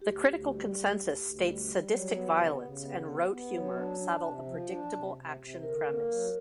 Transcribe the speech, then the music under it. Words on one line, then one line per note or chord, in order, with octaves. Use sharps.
The critical consensus states Sadistic violence and rote humor saddle a predictable action premise.
D2 G4
D2
G3
D2
D2
D2
G3
G3
F#3
B3
C#3
C#3
B3
B3
B3
F#3
D4
D4
C3
F3
D4
C3
C3
C3
D3 A#4
A#3
F#3